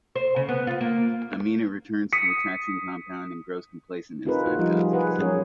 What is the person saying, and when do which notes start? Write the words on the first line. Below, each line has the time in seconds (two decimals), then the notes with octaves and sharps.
Amina returns to the taxing compound and grows complacent as time passes.
0.16 C5
0.36 C#3
0.49 B3
0.67 F4
0.81 A#3
2.13 D#6 B6 C#7
4.25 C4 D#4 F4 G#4 A#4 B4
4.46 F#4
4.59 F3 G3 D#4 F4
4.78 G#4
4.93 G#4 B4 F#5
5.19 F#3 C#4 G#4 A#4 C#5